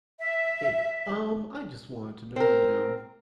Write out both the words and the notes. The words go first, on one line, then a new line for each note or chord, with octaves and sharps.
Hey, um, I just wanted to know you know,
E5
C4 A#4